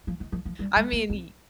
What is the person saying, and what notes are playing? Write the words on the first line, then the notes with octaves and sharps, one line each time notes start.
I mean y
F3
D#3
F3
F3
G3
G#3
A#3
C4